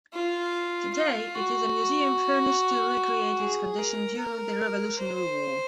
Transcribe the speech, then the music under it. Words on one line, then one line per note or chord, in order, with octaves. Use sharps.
Today, it is a museum furnished to recreate its condition during the Revolutionary War.
F4
F4
F#4
G#4
A#4
A#4
C5